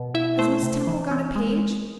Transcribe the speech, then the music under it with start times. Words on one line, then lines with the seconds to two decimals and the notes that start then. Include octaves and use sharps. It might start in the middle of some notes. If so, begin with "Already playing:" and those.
Has Miss Temple got a page?
Already playing: B2
0.14 E4 E5
0.39 A3 C5
0.63 C3
0.87 E3
1.11 C4
1.36 G#3